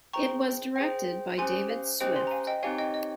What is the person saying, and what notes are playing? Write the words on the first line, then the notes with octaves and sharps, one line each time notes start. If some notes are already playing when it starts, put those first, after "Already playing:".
It was directed by David Swift.
G#4 C5 G5 A#5 C#6
G#4 C5 G5
C#4 G4 C5 G#5 C6
F5
C#4 G4 C5 D#5 G5
G#5 C6
A#5
F5 G#5
D#5 G5
C4 D#4 G4 C#5 F5 G#5
D#5 G5
D#5